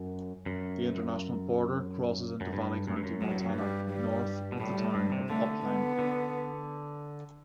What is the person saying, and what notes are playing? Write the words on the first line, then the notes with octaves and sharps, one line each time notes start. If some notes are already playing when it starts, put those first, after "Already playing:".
The international border crosses into Valley County, Montana, north of the town of Opheim.
Already playing: F#2
F#2
F#2
G2
F#2
G2
F#2
A2 F#3
G2
F#2
G2
G3
G3
B2
A2 G3
A2
G2
C3
D3 A3
B3
D3